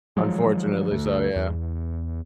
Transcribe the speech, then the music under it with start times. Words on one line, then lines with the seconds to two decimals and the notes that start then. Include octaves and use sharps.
Unfortunately, so, yeah.
0.17 D#3 F3 F#3 G#3
0.91 D2 A3
1.36 E2